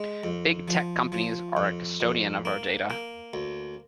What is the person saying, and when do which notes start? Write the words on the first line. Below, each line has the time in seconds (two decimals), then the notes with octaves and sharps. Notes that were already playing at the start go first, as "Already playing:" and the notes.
Big tech companies are a custodian of our data.
Already playing: G#3
0.23 F2
0.68 F3
1.12 F3
1.57 F2
2.00 F2
2.45 A#3
2.90 A#3
3.33 D2